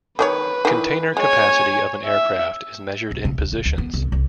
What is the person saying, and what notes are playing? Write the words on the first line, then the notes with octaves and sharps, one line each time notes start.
Container capacity of an aircraft is measured in "positions".
D#3 D4 B4 C#5
D#3 E3
G#3 C#5 G#5
E5
C2
C#3
D2
D3
D2
B3
C2
C2